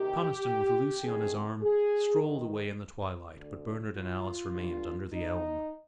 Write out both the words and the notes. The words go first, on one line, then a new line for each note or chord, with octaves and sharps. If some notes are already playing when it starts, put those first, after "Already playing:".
Conniston, with Lucy on his arm, strolled away in the twilight, but Bernard and Alice remained under the elm.
Already playing: D2 C3 D#3 G4
D2 C3 D#3 G#4
G#4
G2 D#3
D2 D3
F4
G2 D3
D#4